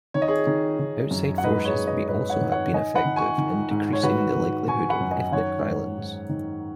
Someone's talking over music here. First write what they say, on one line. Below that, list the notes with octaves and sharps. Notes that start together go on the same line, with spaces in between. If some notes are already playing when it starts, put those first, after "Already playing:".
Outside forces may also be effective in decreasing the likelihood of ethnic violence.
D#3 C#5
D#5
G#4 C#5
D#3
D#3
F#2
F#5
G#2 B4 D#5
G#4 C#5
G#2
B4 D#5
G#2 B4 D#5
C#5 F#5
D#3
C#5 F#5
D#3 D#5 G#5
F#5 B5
D#3
G#5 C#6
D#3
G#2
C#5
D#3 F#4 B4
D#3
D#3 G#5 C#6
F#5 B5
F#2
D#5 G#5
D#3 C#5 F#5
G#2
G#2
D#3